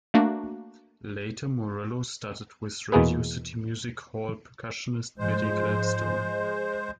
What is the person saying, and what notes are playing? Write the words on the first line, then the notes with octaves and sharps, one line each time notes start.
Later, Morello studied with Radio City Music Hall percussionist Billy Gladstone.
A3 A#3 D4 F#4
E2 B2 G#3 A#3 G#4 B4
G#2 F3 G#3 C5